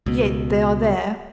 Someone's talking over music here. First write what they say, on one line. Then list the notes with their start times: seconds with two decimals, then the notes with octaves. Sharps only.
Yet they are there.
0.06 C#2 B2